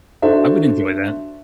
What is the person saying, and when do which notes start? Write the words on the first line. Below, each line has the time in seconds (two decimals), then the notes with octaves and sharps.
I would enjoy that.
0.22 D4 F#4 A4 C5 E5